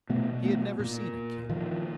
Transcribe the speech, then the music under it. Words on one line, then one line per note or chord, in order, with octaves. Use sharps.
He had never seen a king.
B2 A3 B3
A3 B3
A#2
A#2 D#3 F3